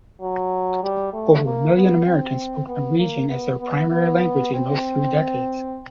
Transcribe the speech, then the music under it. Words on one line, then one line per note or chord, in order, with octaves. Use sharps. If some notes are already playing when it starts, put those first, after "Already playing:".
Over a million Americans spoke Norwegian as their primary language in those three decades.
F#3
G3
A3
A#3
B3
C4
B3
A#3
B3
B3
B3
C4